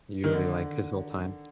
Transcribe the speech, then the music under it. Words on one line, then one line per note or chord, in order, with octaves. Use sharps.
usually, like, his whole time.
D#3
D3